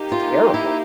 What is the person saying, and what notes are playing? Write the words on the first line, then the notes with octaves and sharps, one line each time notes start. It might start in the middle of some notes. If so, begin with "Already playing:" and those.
it's terrible.
Already playing: A#3 D#4 G4
F4
E4